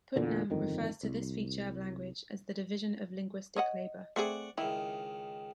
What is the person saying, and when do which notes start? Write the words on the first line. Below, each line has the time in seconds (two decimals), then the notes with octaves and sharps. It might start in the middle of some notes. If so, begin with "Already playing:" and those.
Putnam refers to this feature of language as "the division of linguistic labor".
0.16 E2 A#2 D3
0.50 G1 F2 D#3
1.03 C2
3.56 C#5 D#5 F#5
4.16 A3 C4 G#4 D5 F#5 C#6
4.58 C#2 D#3 E4